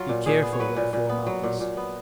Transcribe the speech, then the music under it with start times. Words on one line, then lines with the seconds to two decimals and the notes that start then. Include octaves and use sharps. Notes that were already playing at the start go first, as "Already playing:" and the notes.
Be careful, therefore, Malchus.
Already playing: F#3 F4
0.09 A#2
0.26 A#2 G#4
0.42 B3
0.53 C#5
0.59 F#3 B4
0.76 A#2
0.93 A#2
1.09 B3
1.27 F#3
1.43 A#2
1.60 A#2
1.77 B3